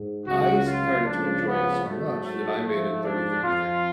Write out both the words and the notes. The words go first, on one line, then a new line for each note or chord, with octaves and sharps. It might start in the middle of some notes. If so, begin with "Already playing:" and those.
I started to enjoy it so much that I made it thirty, thirty, thirty.
Already playing: G#2
C#2 C#3 F#3 F#4
F4
C#2 C#3 F3 D4
B3
G#2 F#3 A3
A3
G#2 F3 A3
D4
F2 F3 F4